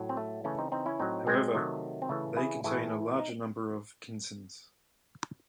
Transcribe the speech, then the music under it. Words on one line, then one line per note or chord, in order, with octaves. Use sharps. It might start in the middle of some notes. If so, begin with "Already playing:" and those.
However, they contain a larger number of different kinesins.
Already playing: A2 F#3
C4
A3
C#3 E3 A3 C#4
C4 D#4
C4 D#4
C#4 E4
A2 F#3 C4 D#4
G#3 C4
C3 D#3 F#3 A3
C4
C#3 E3 A3
E4 G#4
A2 E3 E4 G#4
D#4